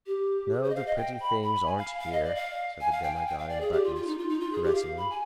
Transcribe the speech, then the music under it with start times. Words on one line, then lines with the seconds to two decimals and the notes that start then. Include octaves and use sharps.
"No, the pretty things aren't here," said the demi-god in buttons, caressingly.
0.06 G4
0.52 G#4
0.63 C5
0.70 D#5
0.75 F5
0.86 D#5
0.97 G5
1.21 B5
1.43 B5
1.55 B5
1.66 G#5
1.78 F5
2.00 F5
2.13 D#5
2.24 D5
2.35 F5
2.81 G#5
2.92 F5
3.03 G5
3.15 G#5
3.27 G5
3.38 F5
3.49 D5
3.61 G#4
3.72 G4
3.84 F4
3.95 F4
4.07 D#4
4.18 F4
4.29 D#4
4.40 F4
4.52 G#4
4.63 G4
4.75 F5
4.98 B5
5.10 G#5